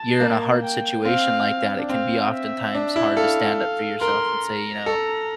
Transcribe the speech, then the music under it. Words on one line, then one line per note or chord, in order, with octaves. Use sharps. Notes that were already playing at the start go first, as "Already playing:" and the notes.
you're in a hard situation like that, it can be oftentimes hard to stand up for yourself and say, you know,
Already playing: A5
A#3
G5
C4 F5
D4
C4 F5
E5
D4
E4
A4 F5
F5
A#4 C6
A#5
A4